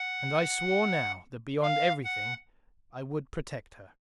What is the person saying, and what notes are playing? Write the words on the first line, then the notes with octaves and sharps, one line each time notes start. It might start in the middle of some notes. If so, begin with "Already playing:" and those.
And I swore now, that beyond everything, I would protect her.
Already playing: F#5
F5
F#5